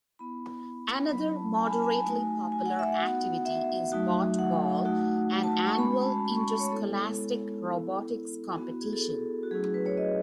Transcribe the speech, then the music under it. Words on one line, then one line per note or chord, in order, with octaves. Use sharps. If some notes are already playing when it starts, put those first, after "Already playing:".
Another moderately popular activity is Botball, an annual interscholastic robotics competition.
B3 E4 B5
F#3 C#4 E4 B5
A5
G#5
B5
A5
G#5
G#5
A3 D#4 F#4
G#5
F#5
E5
F#5
B3 D#4 F#4
E5
F#3 A3 D#4 F#4
F#5
A3 D#4 F#4
A5
C#6
G#3 C#4 F#4 B5
A5
B5
C#6
B5
C#5
G#3 B3 E4 A4
B3 E4
B3 E4 F#4
G#4
A4
F#4
F#3 A3 C#4 E4 G#4
G#4
B4
C#5
D#5